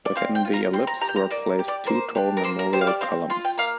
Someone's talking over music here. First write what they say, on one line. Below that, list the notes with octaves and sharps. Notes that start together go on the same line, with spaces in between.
Within the ellipse were placed two tall memorial columns.
D5
C4 F5
G5
F4
A#5
C4 C6
A#5
G4 A#5
G5
A#5
A#3 D5
G4
D5
A#3 C5
D4 G4
A#4
A#3 C5
A#4
G4 C5
F5
D5
C4 F5
F4 C6
G5
A#3 F5